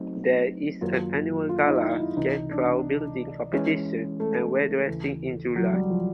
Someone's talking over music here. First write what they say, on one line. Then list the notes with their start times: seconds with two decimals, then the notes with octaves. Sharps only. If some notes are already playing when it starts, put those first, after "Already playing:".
There is an annual gala, scarecrow building competition and well dressing in July.
Already playing: F#3 A3 C4 D#4
0.81 F#2 D#3 F#3 A#3 F4
1.49 F4
1.66 D#4
1.83 E4
2.00 E4
2.17 C#2 C3 E3 D#4
2.51 D4
3.53 E3 G#3 C#4
4.20 A3
4.88 D#2 C#3 E3
5.56 F#3
5.73 G3
5.90 F3